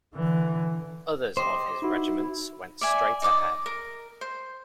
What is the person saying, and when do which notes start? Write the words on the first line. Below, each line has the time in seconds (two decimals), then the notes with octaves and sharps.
Others of his regiments went straight ahead.
0.15 D3 E3
1.37 G4 C5 D#5
1.82 D#4 E4 F#4
2.81 D5 E5 G#5
3.22 D#4 D5 D6 D#6
3.66 A#4
4.21 C5